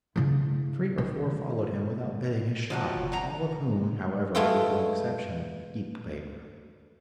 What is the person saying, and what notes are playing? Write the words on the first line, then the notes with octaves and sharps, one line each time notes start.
Three or four followed him without bettering his shot; all of whom, however, with one exception, "eat the paper."
C#3 E4
D#3
F3 F#3 F#5
F#1
F#5 G5 A#5
G#3 A3 B3 E4 F4 G5